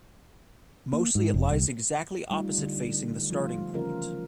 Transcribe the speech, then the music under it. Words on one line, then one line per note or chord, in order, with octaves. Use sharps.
Mostly it lies exactly opposite facing the starting point.
A#3
G#2
F1
C2
G3 A3 D#4 F4
D3
F3 G3 A3 F4
C#3 E3 C#4 F4 A#4